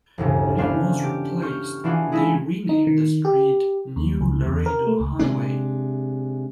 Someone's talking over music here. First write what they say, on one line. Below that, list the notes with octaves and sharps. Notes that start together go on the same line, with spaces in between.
When it was replaced, they renamed the street New Laredo Highway.
E1 D2 G2 C#3
B3 C#4 D4 F#4 C5 F5
G4
C#6 F6 G6 C#7
E3 D4 F4 F#4 G#4
G#3 D#4 E4 G#4
D#4
D#3
G4
D#2
C#2
E2
A#4
A3
C#2
C3 G#3 D4